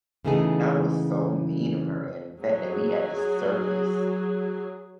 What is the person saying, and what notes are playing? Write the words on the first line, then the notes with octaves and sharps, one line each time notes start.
That was so mean of her, and the fact that we at the circus,
C#3 E3 A3 B3 D#4 G#4
F#3 G#4